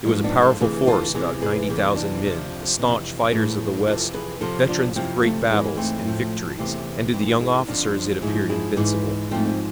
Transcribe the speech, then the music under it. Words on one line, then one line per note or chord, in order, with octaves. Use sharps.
It was a powerful force, about ninety thousand men, the staunch fighters of the West, veterans of great battles and victories, and to the young officers it appeared invincible.
G#2 F3 G#3 B3
B3 D4
F4 A4
D2 C3 E3 G#4 B4
F4 A4
E2 C3 E3 E4 G#4
G#4 B4
E2 C3 E3 E4 G#4
D4 F4
F2 C3 F3
F2 C3 E3
A2 E3 E4 G#4
F2 C3 E3 F4 A4
G#4 B4
F2 C3 F3 F4 A4
D4 F4
F2 C3 F3 C4 E4
A3
G#2 E3 G#3 B3
A3 C4
A2 F3
E2 C3 E3 A3 C4
G#2 E3 C4 E4
E4 G#4
F2 D3 F3 D4 F4
G#2 F3 E4 G#4
E4 G#4
G#2 E3 G#4 B4
G#2 F3 A3 C4
C4